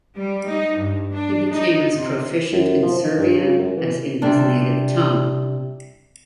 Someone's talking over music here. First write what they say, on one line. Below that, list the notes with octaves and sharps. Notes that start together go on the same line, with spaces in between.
He became as proficient in Serbian as in his native tongue.
G3
D#4
G2
D4
D#4
C3
F#2
F3
D#3
G2
C#3
F#2
E3
C3 G3 D4